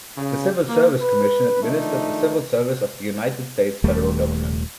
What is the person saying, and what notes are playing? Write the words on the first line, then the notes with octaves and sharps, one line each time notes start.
The Civil Service Commission administered the civil service of the United States federal government.
C#3
A#3
B4
D#3 F3 A3 D4 D#4
D#1 D#2 G3 A3